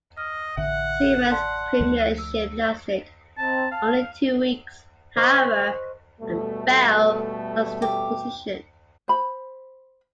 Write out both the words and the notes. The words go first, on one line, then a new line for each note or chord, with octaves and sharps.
Sewell's premiership lasted only two weeks, however, and Bell lost his position.
D#5 F6
A1 D3 E5 F#5
D5 A5 C6
D2 F3 A3
E6
C4 D#4 A5
F5 A5
C5 D#5 C#6 F6 F#6 B6
B2 G3 A3
G4
C5 B5